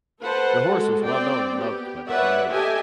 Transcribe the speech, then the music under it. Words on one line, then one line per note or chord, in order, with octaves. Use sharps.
The horse was well known and loved by the community.
A4 B4 C5 F#5 A5
G#3 F#4 A4
C4 D5 G5
B3 G4
B4 C#5 D5 E5 F#5
G4 A4 D#5 E5 G#5 A5